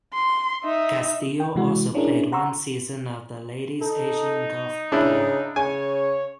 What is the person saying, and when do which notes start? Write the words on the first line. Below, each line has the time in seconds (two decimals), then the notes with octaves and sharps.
Castillo also played one season on the Ladies Asian Golf Tour.
0.14 C6
0.64 D#4 E5
1.40 G5
1.55 C3 E3 G#3 F#4
1.95 C#4 D4 E4 G#4 A#4
2.32 F#5 A#5 C6 C#6 E6
3.81 D#4 A4
4.92 C#3 D4 E4
5.56 C#3 C#5 G#5